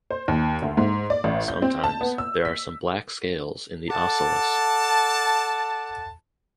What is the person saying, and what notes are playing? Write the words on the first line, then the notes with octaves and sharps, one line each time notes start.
Sometimes there are some black scales in the ocellus.
C5
D#2
D2
G#2
D5
A1
G6
C4
A5
B3
E6
B6
A4 D5 F#5 A5